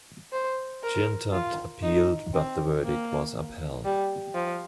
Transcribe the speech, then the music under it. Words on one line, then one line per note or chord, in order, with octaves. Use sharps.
Jeantot appealed but the verdict was upheld.
C5
A#4
F4
D#4
C4
A#3
G3
F3